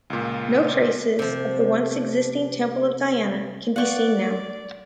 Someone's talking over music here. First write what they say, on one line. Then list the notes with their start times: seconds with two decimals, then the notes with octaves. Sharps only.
No traces of the once existing Temple of Diana can be seen now.
0.10 C#2 A#2
1.19 C3 F3
3.76 B4 D5 F5 F#5 C#6